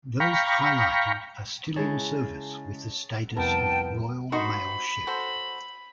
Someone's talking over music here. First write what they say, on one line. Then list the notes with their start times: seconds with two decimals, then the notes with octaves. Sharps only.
Those highlighted are still in service with the status of Royal Mail Ship.
0.20 F5 G5 A#5 B5 C#6
1.76 C#3 G#3 E4 G#4 C#5 A5
3.37 C2 F2 B3 E4 A#4 G5 A5
4.32 D#4 F#4 C5 B5 C#6
5.07 F#4 A4 C5